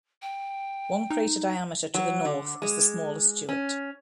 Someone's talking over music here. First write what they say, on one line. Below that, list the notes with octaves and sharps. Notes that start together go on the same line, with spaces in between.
One crater diameter to the north is the smaller Stewart.
G5
D#4
F#3
D3
G#3
C#4